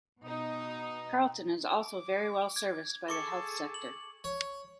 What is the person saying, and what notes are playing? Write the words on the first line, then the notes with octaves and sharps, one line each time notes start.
Carlton is also very well serviced by the health sector.
B2 D#4
D6
G#6
G#4 A4 C#6 D6 C#7
F#7
C#5